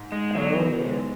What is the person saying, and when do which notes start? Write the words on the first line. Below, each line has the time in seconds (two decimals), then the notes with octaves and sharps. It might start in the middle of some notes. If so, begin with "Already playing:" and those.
Oh, yeah.
Already playing: G#2
0.12 G#3 D#4
0.36 B2 F#3
0.59 B2
0.84 G#3